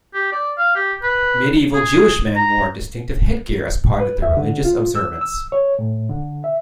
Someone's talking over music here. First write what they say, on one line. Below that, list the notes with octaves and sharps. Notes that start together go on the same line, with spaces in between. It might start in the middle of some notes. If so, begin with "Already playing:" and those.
Medieval Jewish men wore distinctive headgear as part of their religious observance.
G4
D5
F5
G4
B4
G#4
A#5
B4
E5
D3
F4
E6
E6
C#5
A2
D3
E5